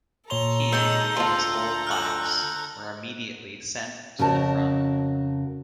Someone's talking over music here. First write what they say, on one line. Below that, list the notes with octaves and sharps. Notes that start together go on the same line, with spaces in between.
He and his whole class were immediately sent to the front.
A#2 A4 C#5 A#5 C6 F7 G7
D#3 G#3 E6 G6 G7
D2 F4 C6
F6 F#6 F#7
F2 C#3 F#4 A#4 A5